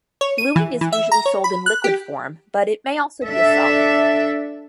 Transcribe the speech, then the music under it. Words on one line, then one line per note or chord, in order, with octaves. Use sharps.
Bluing is usually sold in liquid form, but it may also be a solid.
C#5
D#7
E3
E3
E5
A#5
C#5
B5
F#6
G4
D4 A4 E5